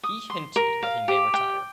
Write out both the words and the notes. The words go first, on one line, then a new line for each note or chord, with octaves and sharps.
He hinted that he may retire.
D#6
C6
A#4
F5
G4
G5